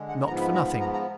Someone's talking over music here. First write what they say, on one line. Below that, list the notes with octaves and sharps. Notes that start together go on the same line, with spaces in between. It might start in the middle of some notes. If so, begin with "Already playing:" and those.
Not for nothing!
Already playing: D3 G#3
F#5
G#2 F3 B3 A#5
B5
A#5
B5
A#5
A#5